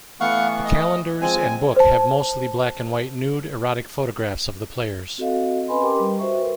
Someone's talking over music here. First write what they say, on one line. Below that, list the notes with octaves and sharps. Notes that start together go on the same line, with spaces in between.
The calendars and book have mostly black-and-white nude, erotic photographs of the players.
E3 A3 B3 F5 F#5 C#6
D#5
F3 G#3 C4 G#5
C5 A5
C4 F#4 A4 D#5 F5
C#4 B4 D#5 G#5 B5 C6
G4 A#4 G5 A#5 C6 D6
G3 B4
F#4 C5 E5 C#6
A#4 B4